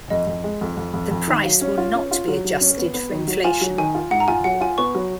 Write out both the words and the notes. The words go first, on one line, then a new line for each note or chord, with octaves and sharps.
The price will not be adjusted for inflation.
F2 D#5
F2
G#3
F2
F2
F2
F2
D#3
F#3 F5
C#4
F4
C#4
F4
F#3
F#3
C#4
B3
B3
D#3
F#3
F4 G#5
F#3
D#3 G#5
F4
G#2 F#5
A#5
F4 G#5
F#3 F#5
F4 G#5
B3 C#6
F#3